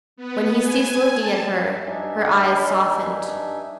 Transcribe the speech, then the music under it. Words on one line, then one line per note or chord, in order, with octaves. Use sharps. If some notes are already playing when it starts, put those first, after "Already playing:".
When he ceased looking at her, her eyes softened.
B3
G#5
A5
G2 D4 D#4 E5 G#5